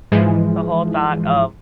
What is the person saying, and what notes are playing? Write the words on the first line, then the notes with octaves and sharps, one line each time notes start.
the whole thought of,
G#2 E3 F3 G#3